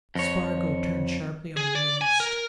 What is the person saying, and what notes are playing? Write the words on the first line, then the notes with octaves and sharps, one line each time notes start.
Spargo turned sharply on Myerst.
F2 C#5
G#4
D5
G#5
A#4